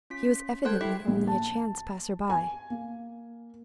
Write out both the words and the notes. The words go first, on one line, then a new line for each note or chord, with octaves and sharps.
He was evidently only a chance passer-by.
C#4 F4 B6
A4 A#4 C5 G5 F#6 G#6
E4 G4 G5
A#1
A5
G#5
A#3